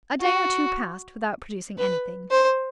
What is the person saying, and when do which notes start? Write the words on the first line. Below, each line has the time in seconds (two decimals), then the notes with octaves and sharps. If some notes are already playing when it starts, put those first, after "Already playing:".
A day or two passed without producing anything.
0.21 F#4
1.78 B4
2.31 C5